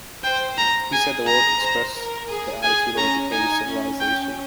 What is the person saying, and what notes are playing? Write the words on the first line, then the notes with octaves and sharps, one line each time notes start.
He said the work expressed "the attitude of a decaying civilisation".
C5 G5
A#5
G#4 G#5
A#5
C5
A#4
G#4
G#4 G#5
C#4 A#5
D#4 G#5
C#4
C#4 G5